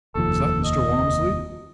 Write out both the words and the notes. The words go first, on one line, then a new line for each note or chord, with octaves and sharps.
"Is that Mr. Walmsley?"
F1 D#2 F3 A4
D#5